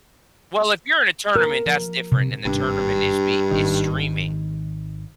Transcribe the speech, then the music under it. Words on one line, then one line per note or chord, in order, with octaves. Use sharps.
Well, if you're in a tournament, that's different, and the tournament is be is streaming,
A#4
F3
C3
G#1 G2 C4 D4
G#1 D#3